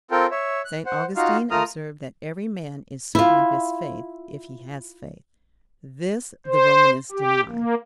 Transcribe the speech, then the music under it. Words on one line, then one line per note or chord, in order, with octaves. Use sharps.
St. Augustine observed that "every man is certain of his faith, if he has faith." This the Romanists deny.
C4 F4 A4 A#4 G5
C#5 E5
F#6
C5 F#5
D#4 F4 F#4 F5
A3 F4 A#4 A#5 D#6 F6
E4 F4
C5
G4
A#3